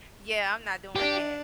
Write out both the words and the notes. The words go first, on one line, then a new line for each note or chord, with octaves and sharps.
Yeah, I'm not doing that.
D4 G4